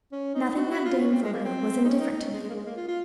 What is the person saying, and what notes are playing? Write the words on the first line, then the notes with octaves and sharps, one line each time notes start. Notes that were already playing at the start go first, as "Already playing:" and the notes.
Nothing that dame from her was indifferent to me.
C#4
D#4
F#4
F#4
F4
C#4
C4
G#3
A#3
C4
D#4
C#4
D#4
D#4
C#4
G#3
G#3
A#3
G#3
A#3
F4
F4